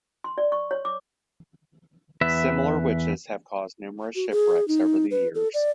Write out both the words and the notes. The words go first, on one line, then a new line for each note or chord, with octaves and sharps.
Similar witches have caused numerous shipwrecks over the years.
C6
D5
C#6
C#5
D6
E2 B4 E5
F#4
G#4
D#4
B4
A4
D5